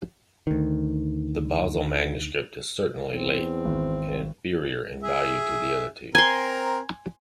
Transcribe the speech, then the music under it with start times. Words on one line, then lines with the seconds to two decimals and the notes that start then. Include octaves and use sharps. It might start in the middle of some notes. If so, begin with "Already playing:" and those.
The Basle manuscript is certainly late and inferior in value to the other two.
0.47 D2 D#3
3.12 E2 C4
3.65 G#1
5.03 G#4 E5
6.15 C4 A#4 G#5 A#5 C6